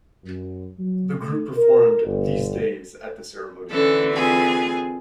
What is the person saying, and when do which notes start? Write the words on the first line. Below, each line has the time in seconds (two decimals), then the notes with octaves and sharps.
The group performed "These Days" at the ceremony.
0.25 F#2
0.79 F#3
1.21 A3
1.57 A#4
2.05 G1
3.71 D3 E3 C#4 A4
4.14 C4 F4 G#4